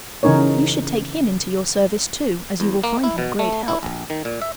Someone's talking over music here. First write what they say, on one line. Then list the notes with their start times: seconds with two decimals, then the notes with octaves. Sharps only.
You should take him into your service too, as you will find him a great help.'
0.23 C#3 E3 C#4 D#4 A#4 C#5
2.60 E2
2.84 A#3
3.04 E4
3.18 B2
3.39 A3
3.68 E4
3.83 A#1
4.10 D#3
4.25 A#2
4.42 E5